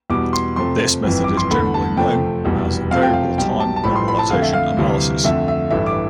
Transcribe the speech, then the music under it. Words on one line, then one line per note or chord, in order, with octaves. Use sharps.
This method is generally known as Variable Time Normalization Analysis.
E2 B2 G3 D6
C6
F2 C3 F3 A3 C6
G1 F2 E3
D6
C6
E2 D3 A3 B5
A5
F2 C3 F3 A3 G5
F1 E2 B2 G3
F2 C3 F3 A3 F5
G5
F5
B1 B2 G3 G5
A5
A5
A1 A2 F3 A3 B5
C6
B5
A5
F2 D3 A3 F5
E5
F5
D2 C3 E3 G3
F2 D3 A3 E5
E5
A1 G2 E3 A3 E5
D6